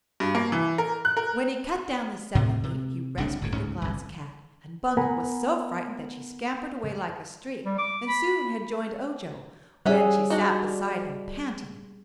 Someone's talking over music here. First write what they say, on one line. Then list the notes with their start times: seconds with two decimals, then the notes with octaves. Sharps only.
When he cut down the second leaf he rescued the Glass Cat, and Bungle was so frightened that she scampered away like a streak and soon had joined Ojo, when she sat beside him panting and trembling.
0.20 G2
0.35 A#3
0.52 E3
0.78 A#4
1.05 F#6
1.17 A#4
2.35 A2 C3 D#3 A3
2.64 C3
3.18 F#1 C2 C#3 D4
3.42 G1 A2 C3
3.53 C#2 G#2 C#4
3.82 G1 C2
4.97 B3 A#4 F#5 G#5 A#5 B5
7.66 G3
7.78 D6
8.08 B5
9.86 G3 C#4 G#4 E5 F#5
10.30 D4 D#4 F#4